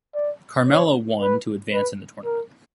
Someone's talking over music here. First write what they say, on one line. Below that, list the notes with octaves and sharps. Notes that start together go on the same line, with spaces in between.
Carmella won to advance in the tournament.
D5
C#5
B4
B4
A#4